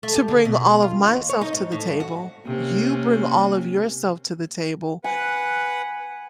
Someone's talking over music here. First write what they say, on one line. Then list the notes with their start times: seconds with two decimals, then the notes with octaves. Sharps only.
to bring all of myself to the table, you bring all of yourself to the table,
0.03 A3
0.15 G4
0.28 D3
0.45 B2
0.82 F4
1.07 D#2
1.29 C#5
1.41 D#4
1.53 G#2
1.72 A2
1.87 G2
2.00 F#4
2.46 C3 A#3 C#4
5.04 B4 F#5 G#5